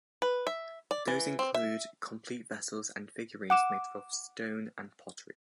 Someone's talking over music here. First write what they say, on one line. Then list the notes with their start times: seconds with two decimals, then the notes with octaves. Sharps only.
Those include complete vessels and figurines made of stone and pottery.
0.22 B4
0.47 E5
0.91 D5
1.08 E3
1.39 C4
1.54 E5
3.50 F#5 D6 E7